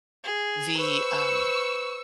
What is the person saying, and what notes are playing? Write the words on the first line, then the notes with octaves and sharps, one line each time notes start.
the, um,
G#4
B4 C5 C#6 E6